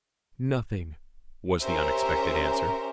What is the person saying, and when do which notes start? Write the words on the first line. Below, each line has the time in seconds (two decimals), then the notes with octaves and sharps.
"Nothing," was the unexpected answer.
1.61 C#4 G4 A#4 C5 E5 A#5